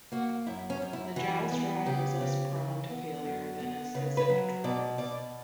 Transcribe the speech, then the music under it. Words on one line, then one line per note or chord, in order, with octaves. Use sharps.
The Jaz drive is less prone to failure than is the Zip drive.
A#3 F#4
F#2 E4
C#4
F#2
E4
E3 F#4
B3
C#3 G4
C#3
E3
B3
F#2
B3
C#3 B4
B4
F#3
B2 D5
B2 D5